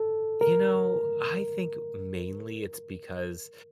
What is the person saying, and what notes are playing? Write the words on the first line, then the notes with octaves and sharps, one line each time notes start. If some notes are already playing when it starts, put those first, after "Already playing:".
You know, I think mainly it's because
Already playing: A4
A#4